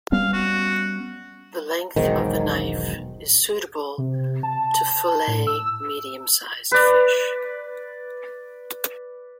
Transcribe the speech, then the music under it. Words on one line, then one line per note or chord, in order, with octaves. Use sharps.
The length of the knife is suitable to fillet medium-sized fish.
G3 B3 C#4 F5
F#4
E1 B1 G#2 D#3
C3
A5
A2
E6
B4 D5